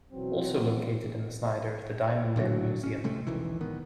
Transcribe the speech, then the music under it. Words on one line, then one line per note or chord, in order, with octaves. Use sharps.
Also located in Snyder is the Diamond M Museum.
B2 E3 F#3 B3 C4
A#2 D3 D#3 F#3
D1 G#1 C#4
C3 G#3 A3
E1 B1 D#3 E3
D1 D#3 B3